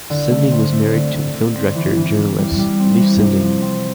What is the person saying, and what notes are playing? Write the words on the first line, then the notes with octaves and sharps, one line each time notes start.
Sinding was married to the film director and journalist Leif Sinding.
D3
A3
C4
A3
D3
D3
D3
C4
E3
E3
E3
G3
G3
C4
E3
C3
F3
C4